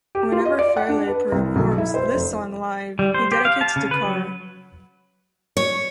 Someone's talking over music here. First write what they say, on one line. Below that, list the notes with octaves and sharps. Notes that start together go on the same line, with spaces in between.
Whenever Frehley performs this song live, he dedicates it to Carr.
G4
F4
D#5
D5
F#5
D4
B4
C2
B1
E4
C5
F1
G3
C5
G4
F5
A5
C#3
B4
F#3
C#5